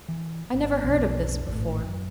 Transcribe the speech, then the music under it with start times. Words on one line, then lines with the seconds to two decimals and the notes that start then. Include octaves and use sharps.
"I never heard of this before."
0.09 E3
0.53 G#1
0.84 B1 F2
1.47 G#1 A2
1.84 F#2